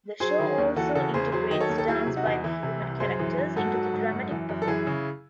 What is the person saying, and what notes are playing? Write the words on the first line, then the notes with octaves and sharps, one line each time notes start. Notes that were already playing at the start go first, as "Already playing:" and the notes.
The show also integrates dance by the human characters into the dramatic performance.
F#3 G#4 C5
D#3
D#2
E3 F#4 A4
C#3 F#4 A4
E2 G#4 C5
F#3 G#4 C5
D#3 D#5
A4 C#5
D#2
A4
F#3 E4 G#4
C3
D#4 F#4
E2
E3 E4
C3
C2
F#2 G#4 C5
E3
F#2
G#2 F#4 A4
F#3
G#2
F#2
E3
F#2
A4
E3 E4 G#4
C#3